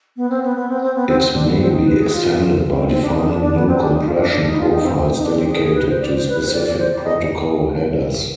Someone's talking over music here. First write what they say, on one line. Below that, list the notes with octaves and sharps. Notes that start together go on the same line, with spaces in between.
It may be extended by defining new compression profiles dedicated to specific protocol headers.
B3
C4
B3
B3
C4
C4
B3
C4
C4
D4
B3
C4
D#4
B4
G#4
F4
C4
C4
D4
D#4
D4
D4
B3
C4
D4
D#4
F4
C4
D4
D4
D#4
F4
D#4
C4
C4
D#4
D4
C4
G#4
G#4
B4
C5
D5
C5
B4
B4
C5
D5
D5
C5
D5
D#5